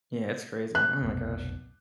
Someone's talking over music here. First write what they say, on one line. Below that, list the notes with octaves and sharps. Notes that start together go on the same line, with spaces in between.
Yeah, it's crazy. Oh my gosh.
F#6
F1 B1 B2